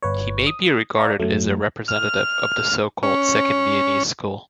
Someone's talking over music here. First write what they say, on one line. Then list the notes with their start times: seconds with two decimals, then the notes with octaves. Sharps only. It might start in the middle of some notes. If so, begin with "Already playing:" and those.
He may be regarded as a representative of the so-called Second Viennese School.
0.03 G1 B4 C#5
0.47 D#6
0.96 D5 F5 A#5 C#6
1.20 F#2 F#3 A3
1.88 F6
3.03 C#4